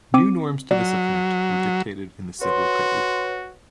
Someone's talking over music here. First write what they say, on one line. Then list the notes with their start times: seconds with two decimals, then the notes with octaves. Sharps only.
New norms to this effect were dictated in the Civil code.
0.14 C4 D6 D#7
0.71 F#3 D5
2.42 F#4 B4 C#5 C6